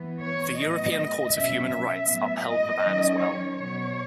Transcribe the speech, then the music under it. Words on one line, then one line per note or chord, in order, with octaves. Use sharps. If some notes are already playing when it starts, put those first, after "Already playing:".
The European Court of Human Rights upheld the ban as well.
Already playing: E3 B3
C#5
A2 F#3 B3 D#5
B2 F#3 C#4 E5
E5
A2 F#3 B3
D#5
D#3 F#3 C#4
C#5
B2 F#3 B3 C#5